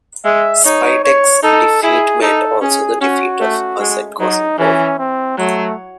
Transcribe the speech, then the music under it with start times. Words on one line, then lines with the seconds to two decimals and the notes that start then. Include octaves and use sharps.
Spytek's defeat meant also the defeat of the Hussite cause in Poland.
0.25 G#3 E5
0.64 D#4 C#5
1.04 C#5
1.43 D#4 A4
1.83 E4 G#4
2.22 D#4 A4
2.61 C#4 G#4
3.01 C#4 F#4
3.41 A3
3.80 G#3
4.20 F#3 D#4
4.58 E3 C#4
4.99 C4
5.38 F#3 A3